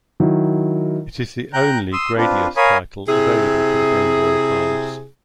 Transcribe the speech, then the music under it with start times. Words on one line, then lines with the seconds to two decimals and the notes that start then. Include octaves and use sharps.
It is the only "Gradius" title available for the Game Boy Advance.
0.20 D#3 F#3 E4
1.54 G5 A#5 F#6 G6
1.93 C6 D#6 E6
2.17 C4 D4 F4 B4
2.57 A#4 C#5 F5 G#5 B5 D#6
3.08 C3 E4 G#4